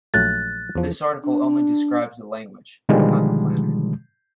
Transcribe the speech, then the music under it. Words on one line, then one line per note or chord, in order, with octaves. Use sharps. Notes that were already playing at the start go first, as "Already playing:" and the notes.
This article only describes the language, not the planner.
A#1 F#3 A3 F#6 A6
E2 F3
D4
B2 D3 D#3 F3 G3 G#3